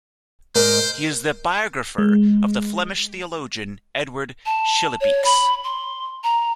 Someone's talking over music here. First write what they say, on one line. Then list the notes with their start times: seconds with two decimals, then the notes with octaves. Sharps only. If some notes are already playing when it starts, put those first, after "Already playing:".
He is the biographer of the Flemish theologian Edward Schillebeeckx.
0.55 G#2 A#4 C5 D#5
1.98 G#3
4.46 A5
5.01 C#5
5.25 B5
5.64 C6
6.24 A#5